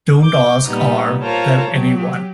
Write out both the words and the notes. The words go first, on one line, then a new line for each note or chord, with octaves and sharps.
Don't ask or tell any one.
D6 G6
A#2 G3 B3 D#4
F4 A#4 C5 C#5 A5 A#5
F#3 G4